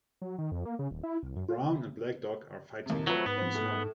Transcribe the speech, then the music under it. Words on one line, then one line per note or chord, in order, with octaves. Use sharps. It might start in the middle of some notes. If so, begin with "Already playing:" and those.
A brown and black dog are fighting on snow.
F#3
D#3
F2
A#3
C#3
D#1
E4
C2
F#2
F4
D#2 C3
F3 F#3 A3 C4 B4
G#2 B3
F3 C4
A2